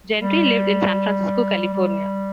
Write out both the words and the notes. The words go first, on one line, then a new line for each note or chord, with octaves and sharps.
Gentry lived in San Francisco, California.
G3
G3